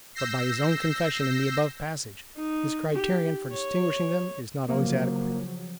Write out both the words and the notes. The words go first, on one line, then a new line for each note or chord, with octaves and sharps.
But by his own confession in the above passage, his criterion for distinguishing them is not always adequate.
E6 G6 A#6 C7
D#4
G4
C#5
C#3 F3 F#3 A#3